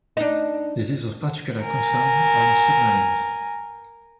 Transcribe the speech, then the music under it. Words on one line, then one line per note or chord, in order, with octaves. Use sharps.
This is of particular concern on submarines.
D4 D#4
A#4 G#5